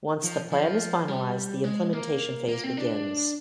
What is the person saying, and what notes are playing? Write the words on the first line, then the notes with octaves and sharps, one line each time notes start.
Once the plan is finalized, the implementation phase begins.
F3
F3
G3
G#3
A#3
A#3
C4
D4